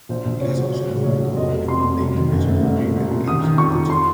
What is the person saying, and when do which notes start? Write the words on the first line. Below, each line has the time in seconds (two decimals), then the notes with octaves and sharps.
He has also covered all of the One Day International cricket games in Kochi.
0.09 A#1 C5
0.25 A#1
0.41 A#2 C#5
0.57 F#3
0.72 F#3 C#5
0.89 A2
1.04 A#1 C#5
1.20 F#3
1.36 F1 D#5
1.53 C3
1.68 F2 C6
1.84 F1
2.00 F#2
2.16 D#3
2.32 F#1
2.48 A3
2.63 C2
2.79 A#2
2.96 C2
3.11 A#2
3.27 D#3 D#6
3.43 D#3
3.58 F2 C#6
3.75 F2
3.90 C6